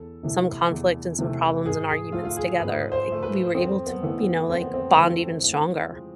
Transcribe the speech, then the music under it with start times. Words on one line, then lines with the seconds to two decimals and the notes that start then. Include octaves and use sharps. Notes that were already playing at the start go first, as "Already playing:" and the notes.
some conflict and some problems and arguments together, like, we were able to, you know, like, bond even stronger.
Already playing: E2 A4
0.23 C3 E3 A3
0.71 E2
1.19 C3 E3 A3
1.65 G#2 G#4
1.89 G#4
2.12 F3 A3 F4
2.25 F4
2.37 G#4
2.60 G#2 B4
2.92 C5
3.07 F3
3.12 A3
3.23 B4
3.54 F2 C4
3.86 B3
4.02 E3 A3 B3
4.18 B3
4.49 F2 C4
4.61 B3
4.74 C4
4.97 E3 A3
5.43 A2
5.92 F3 G#3